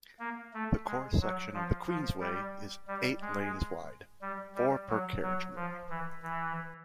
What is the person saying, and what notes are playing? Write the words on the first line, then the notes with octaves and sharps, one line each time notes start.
The core section of the Queensway is eight lanes wide, four per carriageway.
A#3
A3
G#3
F#3
F3
F3
G3
G3
G#3
G3
G3
F#3
F#3
F3
E3
E3